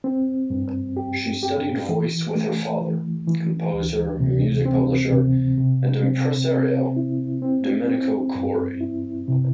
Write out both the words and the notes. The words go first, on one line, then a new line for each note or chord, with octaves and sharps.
She studied voice with her father, composer, music publisher, and impresario Domenico Corri.
C4
G2
G4
G4
E3
A3
E3
E3
D2
C3
C4
C3
C3
C4
C4
E4
C4
C4
G2
E4
C3